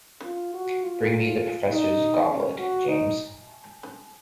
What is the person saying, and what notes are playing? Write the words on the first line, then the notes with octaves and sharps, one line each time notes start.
Bring me the professor's goblet, James!
F4
F#4
F4
D#4
C#4
F#4
D#4